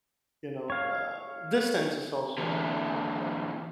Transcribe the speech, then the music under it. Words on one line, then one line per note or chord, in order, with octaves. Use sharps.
you know, the distance is also a part, but
C#5 F5
E2 D3